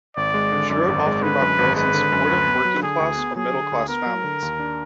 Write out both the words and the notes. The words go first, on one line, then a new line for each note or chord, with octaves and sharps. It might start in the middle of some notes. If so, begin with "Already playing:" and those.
She wrote often about girls in supportive, working-class or middle-class families.
G#1 D5
G#3
D3
F#2 D5
G#1
G#3
D3 B4
F#2
G#1
G#3 B4
D3
F#2
D2
B3
F#3
D3 G#4
D2
B3
F#3 G#4
D3
D2
B3 A#4
F#3
D3
D#2
D4